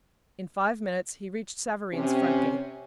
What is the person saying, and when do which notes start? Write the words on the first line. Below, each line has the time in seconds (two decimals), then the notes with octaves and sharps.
In five minutes he reached Savareen's front gate.
1.93 C3 C#4